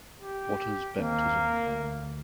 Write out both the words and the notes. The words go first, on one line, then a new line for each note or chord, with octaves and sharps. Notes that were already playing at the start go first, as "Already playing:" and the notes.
What is baptism?
G4
D#2 A#3 C4
D2